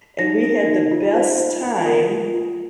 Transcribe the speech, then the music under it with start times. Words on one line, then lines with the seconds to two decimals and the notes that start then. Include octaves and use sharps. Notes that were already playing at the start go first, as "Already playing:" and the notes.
and we had the best time
0.19 D#4 A#6
0.43 A#4
0.66 D#4
0.91 F4
1.14 C5
1.38 F4
1.62 F4
1.86 A#4
2.10 F4
2.34 F4